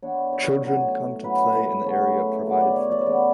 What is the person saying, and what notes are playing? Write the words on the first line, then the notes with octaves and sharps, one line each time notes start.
Children come to play in the area provided for them.
E3 B3 D4 C#5
C#5
A2 F#3 C#4 C#5
A2 F#3 C#4 E4 B4
B4
C#3 F#3 A3 C#5
C#3 F#3 B3
D5
C#5
D5
C#5
C#3 E3 B3 E4 D5